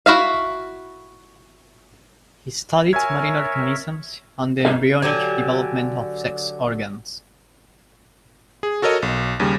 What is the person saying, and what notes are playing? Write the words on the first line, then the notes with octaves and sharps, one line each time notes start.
He studied marine organisms and the embryonic development of sex organs.
E4 F#4 E5 F5
A#4 C#5 E5 G#5 G#6
D3 F#3 G4 G#5
G#4
F#4 A4 A#4 C#5 D#5
B1
D#2 C#3 G3